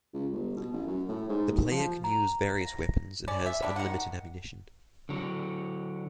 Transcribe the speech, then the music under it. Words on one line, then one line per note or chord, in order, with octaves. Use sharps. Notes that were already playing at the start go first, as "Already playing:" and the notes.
The player can use various weapons and has unlimited ammunition.
C#2
G1
B2
A1
F#2
A2
G#2
D#2
F3
A#5
F5
C#4 D5
E5
G3 D4
D#3 F#5
D3 F#3